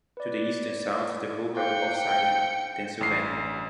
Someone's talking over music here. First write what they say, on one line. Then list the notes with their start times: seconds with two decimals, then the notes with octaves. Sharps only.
To the east and south is the borough of Sayre, Pennsylvania.
0.17 B4 D5
1.57 C5 F5 G5 F#6 C#7
3.01 A1 C7